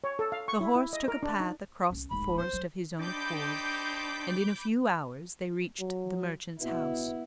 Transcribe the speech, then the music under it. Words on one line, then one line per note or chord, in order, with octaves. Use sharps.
The horse took a path across the forest of his own accord, and in a few hours they reached the merchant's house.
C#5
A4
F5
C#6
E4
E4
D#5
A#4
D4
D#4
C2 C#4
D1 G#1 B5
C4 C5
F#3
D4 D#4 G4 C5 B5 D6 G6
F#3
B2 B3 E4